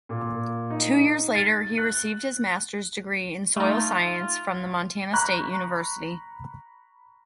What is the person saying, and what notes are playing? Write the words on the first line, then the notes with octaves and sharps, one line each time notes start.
Two years later he received his master's degree in soil science from the Montana State University.
A#2
D#4
A6
F#6
A3 D#4 F4
A#5 B5 C#6 F#6